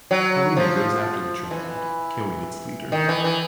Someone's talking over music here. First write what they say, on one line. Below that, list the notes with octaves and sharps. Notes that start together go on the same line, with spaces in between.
Helena goes after the Triad, killing its leader.
F#3
F3
E3
D#3
E3
E3